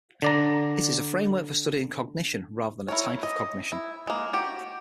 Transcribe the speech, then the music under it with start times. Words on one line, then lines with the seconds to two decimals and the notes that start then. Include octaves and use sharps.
It is a framework for studying cognition rather than a type of cognition.
0.22 D3 D5 A#5
2.88 E4 A#4 C#5
3.23 D#5
3.72 E4
4.07 G#3 A#3
4.33 F#4 G4 G5